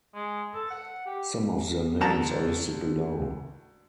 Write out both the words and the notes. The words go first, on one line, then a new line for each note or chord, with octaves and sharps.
Some of their names are listed below.
G#3
A4
F#5
G4
D2 A5 A#5